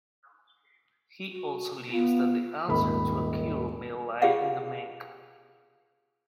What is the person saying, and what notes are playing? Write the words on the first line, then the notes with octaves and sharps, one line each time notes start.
He also believes that the answer to a cure may lie in the Menk.
F#4
B3 F4
D#1 G#1 B5
F4 G4 G#4 D5 F5 F#5